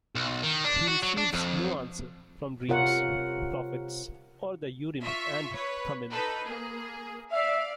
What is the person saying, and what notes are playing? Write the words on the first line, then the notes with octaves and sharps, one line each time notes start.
He receives no answer from dreams, prophets, or the Urim and Thummim.
B1
D#3
D4
F#4
F#3
D4
F2
C3 F4 A#4 C#5 F#5
F4 E5 C#6
B4 C#5
D#4 A4 B4
A#3 G#4
D5 E5 F5